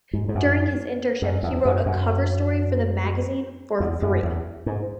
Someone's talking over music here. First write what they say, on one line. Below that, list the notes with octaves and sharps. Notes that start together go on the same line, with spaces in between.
During his internship he wrote a cover story for the magazine for free.
G#2
G#2
F#2
F#2
E2
F#2
F#2
E2
F#2
E2
G#2